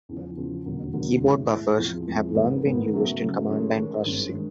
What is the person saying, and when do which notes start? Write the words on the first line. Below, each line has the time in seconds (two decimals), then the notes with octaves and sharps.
Keyboard buffers have long been used in command-line processing.
0.09 E2 C#3 F3
0.37 E2 C#3 F3
0.65 E1 D#2 D3 F#3 A#3
0.93 E1 D#2 D3 F#3 A#3
1.22 A2 E3 G#3
1.50 A2 E3 G#3
1.78 E2 C3 F3 G#3
2.07 E2 C3 F3 G#3
2.35 G#1 G#2 D#3 G#3 B3
2.64 G#1 G#2 D#3 G#3 B3
2.92 C#3 F#3 A3
3.20 C#3 F#3 A3
3.49 D#3 G#3 C#4
3.77 D#3 G#3 C#4
4.06 G#1 G2 D#3 G#3
4.34 D#3 G#3